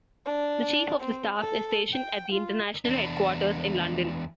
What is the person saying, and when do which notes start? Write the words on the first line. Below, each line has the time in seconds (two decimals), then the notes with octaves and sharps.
The Chief of the Staff is stationed at International Headquarters in London.
0.26 D4
1.01 C4
1.37 A4
1.93 G5
2.32 F4
2.85 E2 D4